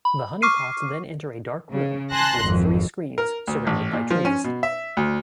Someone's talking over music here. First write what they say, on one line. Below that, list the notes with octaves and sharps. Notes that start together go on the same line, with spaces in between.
The honey pots then enter a dark room with three screens surrounded by trees.
B5
C#6 D6 F6 C7 D#7
C#3
G#5 A5 C6 F#6 A#6
G#1 F2
A#4
D2
A1
A#2
F3
C#4
B2
E5
D2